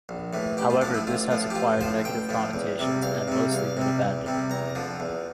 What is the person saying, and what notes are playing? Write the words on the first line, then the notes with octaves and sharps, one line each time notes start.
However, this has acquired negative connotations and mostly been abandoned.
A#1
A2 E3
A1 G4
F4
A2 F3 D4
E4
A1 F4
A2 F3
G4
A1 F4
A2 F3 C5
A1 G5
A2 F3
E2
C3 G3
E2 F5
C3 G3
E2 F5
C3 G3
E2
C3 G3
E2 A#5
D3 F3
E2